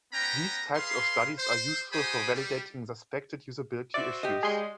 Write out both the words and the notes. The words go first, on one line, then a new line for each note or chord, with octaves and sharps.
These types of studies are useful for validating suspected usability issues.
B3 C#4 B4 G5 A#5
G#4 B4 F5 C6
C5
F#4 G4 C5 G#5 B5 D#6
G3
F#4 C5 D5 E5
G4 D#5
G3 G#3 G#4 C6